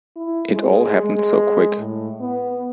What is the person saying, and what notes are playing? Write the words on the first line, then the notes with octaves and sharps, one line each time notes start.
It all happened so quick.
E4
G#3
G#3
A2
B3